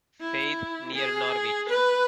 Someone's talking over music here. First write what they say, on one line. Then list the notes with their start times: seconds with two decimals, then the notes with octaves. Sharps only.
Faith, near Norwich.
0.21 E4
0.94 G#4
1.69 B4